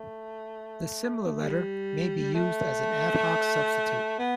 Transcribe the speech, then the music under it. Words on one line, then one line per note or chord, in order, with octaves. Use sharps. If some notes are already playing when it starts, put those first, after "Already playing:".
The similar letter may be used as an ad-hoc substitute.
Already playing: A3
G3
A3
B3